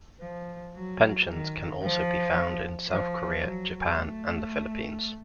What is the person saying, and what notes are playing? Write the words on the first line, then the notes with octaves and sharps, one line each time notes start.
Pensions can also be found in South Korea, Japan, and the Philippines.
F3
F#3
D#3
F3
F3
F#3
A3